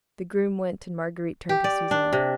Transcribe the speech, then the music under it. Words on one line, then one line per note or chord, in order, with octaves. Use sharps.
The groom went, and Marguerite turned to Suzanne.
G4
D5
D4
C3